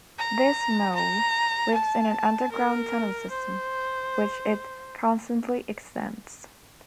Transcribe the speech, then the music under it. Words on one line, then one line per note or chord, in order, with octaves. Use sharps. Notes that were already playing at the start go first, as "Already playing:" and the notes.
This mole lives in an underground tunnel system, which it constantly extends.
A#5
A#5
A5
A#4
C5